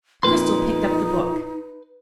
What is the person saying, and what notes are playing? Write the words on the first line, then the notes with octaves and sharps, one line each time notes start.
Cristel picked up the book.
F2 A#2 D#4 B4 C6